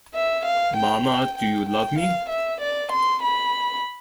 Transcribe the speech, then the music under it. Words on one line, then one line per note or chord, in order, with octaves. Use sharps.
Mama, Do You Love Me?
E5
F5
G5
G5
G5
G5
F5
E5
D5
C6
B5